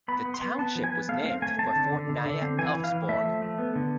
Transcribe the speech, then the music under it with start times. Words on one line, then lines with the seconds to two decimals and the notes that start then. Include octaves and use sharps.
The township was named for Fort Nya Elfsborg.
0.08 B3 B5
0.25 B3
0.34 C6
0.42 B3
0.58 B3 A5
0.75 F3
0.84 G#5
0.92 B3
1.09 A3 F5
1.25 C4 F5
1.42 A3 G#5
1.58 C4 A5
1.75 D3
1.92 D3
2.09 D3
2.25 D3
2.42 C4
2.58 E3 G#5
2.75 E3
2.84 F5
2.92 E3
3.09 A3 E5
3.25 F3
3.42 A3
3.58 B3
3.75 D3